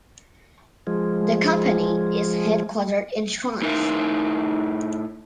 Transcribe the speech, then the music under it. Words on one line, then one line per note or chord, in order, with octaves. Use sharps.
The company is headquartered in Schruns.
F3 G#3
A2 D#4 A#4 E5 F5